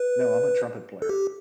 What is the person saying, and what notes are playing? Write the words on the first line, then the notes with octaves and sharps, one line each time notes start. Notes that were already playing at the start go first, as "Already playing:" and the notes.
No, I'm a trumpet player.
Already playing: B4
A4
G4